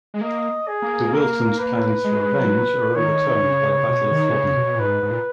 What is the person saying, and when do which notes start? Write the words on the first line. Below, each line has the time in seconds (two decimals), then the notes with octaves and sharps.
De Wilton's plans for revenge are overturned by the Battle of Flodden.
0.14 G#3
0.21 A#3 D#5
0.68 G#4
0.82 A#3
1.13 A#4
1.58 B4
2.04 G#3
2.35 F#3
2.96 D#3 C#5
3.42 C#3
3.88 B2
4.11 D#3
4.30 B2
4.34 C#3
4.56 B2
4.75 A#2
4.79 G#2 B4
5.03 G#2
5.11 A#2